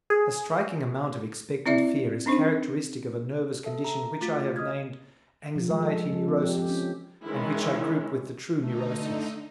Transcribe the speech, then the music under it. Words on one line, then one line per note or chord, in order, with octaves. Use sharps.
A striking amount of expectant fear is characteristic of a nervous condition which I have named "anxiety neurosis," and which I group with the true neuroses.
G#4
C4 E4 D5 E5
C4 D4 D#4 C5
A4 E5
A#5
A3 F4 F#4 A6 B6
D#5 D#6 F6 G#6
F3
G#3
A4
F3
C4
G4
G4
C#4
D#3 E3 G#3 C#4 E4
D3 A3 D#4